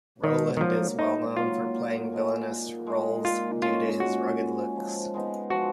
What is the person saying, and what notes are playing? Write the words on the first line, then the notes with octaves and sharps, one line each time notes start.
Rowland is well known for playing villainous roles due to his rugged looks.
G#2 D#3
D#3
F3 F#3 A#3
G#2 D#4
F#3 A#3 F4
A#2
G#3 D#4
A#2
G#3 D#4
A#2 F4
G#3 C#4 F4
A#2 F#4
G#3 C#4
F3
G#3 B3 D#4
F3 F#4